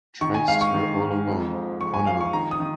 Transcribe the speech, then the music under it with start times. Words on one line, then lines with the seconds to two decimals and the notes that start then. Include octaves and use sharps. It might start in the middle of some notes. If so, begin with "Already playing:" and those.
Traced her all along, on and off.
0.21 D#3 C#6
0.34 G#5
0.48 G#2 F5
0.61 C#6
0.74 D#3
1.00 G#2
1.28 F2
1.54 F3
1.80 F3 C#6
1.94 G#5
2.07 F3 F5
2.21 C#6
2.33 D#3 A#5
2.51 D#6
2.60 D#3